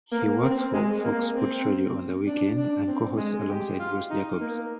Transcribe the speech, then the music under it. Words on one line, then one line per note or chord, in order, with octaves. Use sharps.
He works for Fox Sports Radio on the weekend and co-hosts alongside Bruce Jacobs.
A#3
C4
G#3
A#3
C4
D4
D4
C4
G#3
G4
F4
D#4
A#3